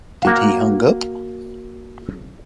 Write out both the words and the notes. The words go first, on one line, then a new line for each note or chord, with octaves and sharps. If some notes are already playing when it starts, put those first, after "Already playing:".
Did he hung up?
A#3 F#4 F5